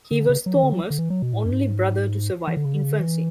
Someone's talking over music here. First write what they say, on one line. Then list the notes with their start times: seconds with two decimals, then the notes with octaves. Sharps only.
He was Thomas' only brother to survive infancy.
0.11 D3
0.29 C#3
0.46 F#3
0.55 E3
0.63 D3
0.73 F#3
0.90 D3
0.99 E3
1.10 F#3
1.22 B2
1.33 A2
1.45 F#2
1.51 G#2
2.47 E3
2.57 D3
2.65 C#3
2.74 D3
2.82 C#3
2.92 D3
3.00 E3